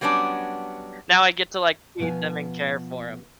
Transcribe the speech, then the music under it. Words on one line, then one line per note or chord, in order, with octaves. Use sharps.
now I get to, like, feed them and care for 'em.
F#3 G3 B3 C#4 D4
B2 F3 B3 C#5 G#5